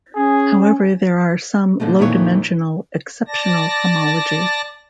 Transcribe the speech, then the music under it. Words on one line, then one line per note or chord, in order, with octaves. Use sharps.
However, there are some low-dimensional exceptional homology.
C#4 G#4
A#2 D3 F3 G#3 A3
F2 A#2 D#3 E3 G#4 C#5
D5 A5 A#6